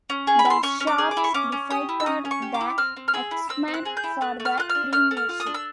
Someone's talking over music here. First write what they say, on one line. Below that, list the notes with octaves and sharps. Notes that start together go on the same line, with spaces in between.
The Sharks defeated the Axemen for the premiership.
C#4
G#4
B5
E4
C6
C#4 C#6
C#4
D6
G#4
D6
E4
C#6
C#4 D6
C#4
G4 D#6
E4
E6
C#4 D#6
C#4
C#6
G4
D6
E4
C4 F6
C4
F6
G#4 E6
E4
C4 E6
C4
F#6
G#4
G6
E4
A3 F#6
A3
F6
F4 F#6
F6
D4
A3 F6
A3
F6
F4
D#6
D4
E6